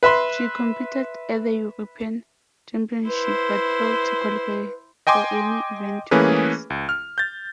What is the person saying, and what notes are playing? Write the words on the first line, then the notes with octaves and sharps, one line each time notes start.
She competed at the European Championships but failed to qualify for any event finals.
B4 E5 B5 C6
E4 B4 C5
D#5 G5 G#5 C6 D6
E3 A3 A#3 C#4 G#4 B4
C#2
F6
G6 A6